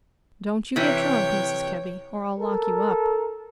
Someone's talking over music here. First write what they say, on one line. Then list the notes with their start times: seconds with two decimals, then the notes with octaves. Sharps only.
"Don't you get drunk, Mrs. Kebby, or I'll lock you up."
0.76 C3 E3 C#5 G5
2.38 A4 A#4